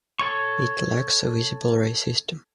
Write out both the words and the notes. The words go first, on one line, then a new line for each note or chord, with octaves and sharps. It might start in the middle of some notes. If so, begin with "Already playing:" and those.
It lacks a visible ray system.
A4 C#5 C#6